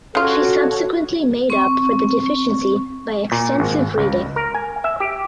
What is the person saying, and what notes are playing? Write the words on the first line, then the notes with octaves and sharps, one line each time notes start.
She subsequently made up for the deficiency by extensive reading.
C#3 F4 F#4 A4 C#5
C4 C#6
A#2
G#1
C#2
A#4
G#5
E5
G4